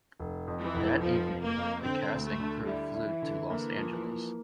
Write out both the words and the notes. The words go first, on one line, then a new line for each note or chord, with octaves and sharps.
That evening, the cast and crew flew to Los Angeles.
F1
F2
E3
F1
F1 F3
F1
A#3
F2
D3 C4
D2
A3
D3
G3 E4
E4
E3
D3
E3 A#3
F3
A#3